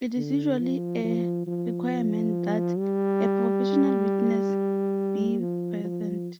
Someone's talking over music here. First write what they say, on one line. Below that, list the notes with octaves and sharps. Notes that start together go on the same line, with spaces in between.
It is usually a requirement that a professional witness be present.
D3
F3
F3
F3
G3
F3
F3